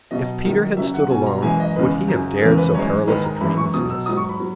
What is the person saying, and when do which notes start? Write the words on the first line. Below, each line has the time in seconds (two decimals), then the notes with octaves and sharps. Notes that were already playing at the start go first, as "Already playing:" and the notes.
If Peter had stood alone, would he have dared so perilous a dream as this?
0.11 B2 F#3 D#5
0.45 F#2 D#3 F#3
0.77 F#2 C#3 F#3 E5
0.94 F#5
1.10 B2 F#3 G#5
1.26 A#5
1.42 F#2 E3 G#3 G#5
1.60 D#5
1.76 E2 C#3 G#3 B4
2.08 F#2 C#3 F#3 G#4
2.36 G#4
2.42 E2 C#3 E3 G#3 A#4
2.58 B4
2.74 F#2 E3 G#3 C#5
3.07 G#2 D#3 G#3 B4
3.25 A#5
3.41 F#2 E3 G#3 B5
3.58 C#6
3.74 B2 F#3 D#6
3.90 E6
4.06 G#2 F#3 D#6
4.17 C#6
4.29 B5
4.40 F#3